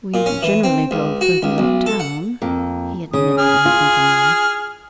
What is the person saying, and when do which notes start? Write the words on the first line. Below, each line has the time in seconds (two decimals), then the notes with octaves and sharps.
"We generally go further up town," he admitted unthinkingly.
0.14 A#2
0.26 C#4
0.42 E3
0.64 C4
0.91 C#2
1.21 F#4
1.43 C#2
1.58 B1
1.86 A4
2.00 F#5
2.42 F2 A#3
3.13 C#3 D#6
3.38 G#4 F6
3.65 F4